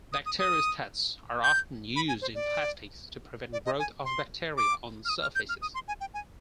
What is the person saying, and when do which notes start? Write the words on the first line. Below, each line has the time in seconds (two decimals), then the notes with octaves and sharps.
Bacteriostats are often used in plastics to prevent growth of bacteria on surfaces.
0.13 D#6
0.26 D#6
0.39 D#6
1.44 G6
1.96 B5
2.08 G#5
2.22 C5
2.35 D5
3.53 D5
3.66 D#5
3.79 G#5
4.05 C6
4.57 D6
5.05 F6
5.09 D#6
5.22 F6
5.35 G6
5.49 F6
5.62 D#6
5.75 C6
5.88 G#5
6.01 G5
6.14 G#5